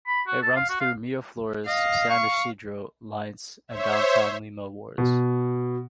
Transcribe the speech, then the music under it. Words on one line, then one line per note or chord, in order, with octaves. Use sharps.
It runs through Miraflores, San Isidro, Lince, and downtown Lima wards.
B5
F#4
A4
F5
F#4
F5
D#5 F5
C#6
C5 C#5 E5
B2